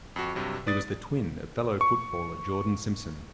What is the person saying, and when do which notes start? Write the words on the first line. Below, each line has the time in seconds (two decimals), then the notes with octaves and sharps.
He was the twin of fellow footballer Jordan Simpson.
0.16 F2 F#4
0.35 G2 C3 F#3
0.67 B4 D5 D#6 A6
1.81 C#6